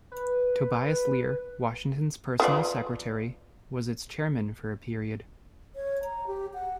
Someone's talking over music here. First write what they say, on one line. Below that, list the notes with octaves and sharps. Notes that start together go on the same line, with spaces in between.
Tobias Lear, Washington's personal secretary, was its chairman for a period.
B4
B3 F4 D5
C#5
A#5
G4
F#5